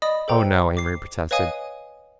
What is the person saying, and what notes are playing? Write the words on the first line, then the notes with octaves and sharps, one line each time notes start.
"Oh, no," Amory protested.
D5 D#5 B5 D#6
A4 C5 G5 A#5
D6 C7
B4 C#5 D#5 F5 G#5 D#6